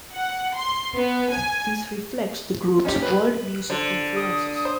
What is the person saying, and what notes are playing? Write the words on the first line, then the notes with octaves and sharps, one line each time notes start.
This reflects the group's world music influences.
F#5
C6
B3
G#5
C#4 D#4 G4
B4
D3 C5
D#6
C5